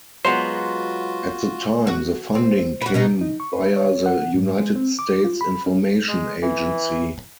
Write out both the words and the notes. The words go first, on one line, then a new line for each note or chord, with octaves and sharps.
At the time the funding came via the United States Information Agency.
F#3 G#3 B3 F4 F#4 C5
F#4
C4
F#4 B4
B2 B3 D#4
D#4
C#6
B4
C#5
F#5
G#2
G#3
C4
D6
F4
B5
C#4
G#3
E3